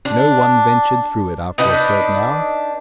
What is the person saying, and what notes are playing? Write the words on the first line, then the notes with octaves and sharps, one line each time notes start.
No one ventured through it after a certain hour.
D4
D4 D#4 B4 D#5